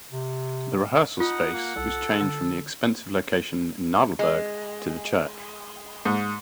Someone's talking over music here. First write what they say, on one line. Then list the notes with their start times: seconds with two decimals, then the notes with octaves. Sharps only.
The rehearsal space was changed from the expensive location in Nadelberg to the church.
0.11 C3
1.20 D#4 F4 F#5
1.53 A#3
1.76 C2 A4
2.20 D3
4.19 G#3
6.05 G#2